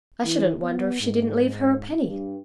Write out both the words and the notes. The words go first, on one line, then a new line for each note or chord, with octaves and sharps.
I shouldn't wonder if she didn't leave her a penny.
E3
B3
G#2
G2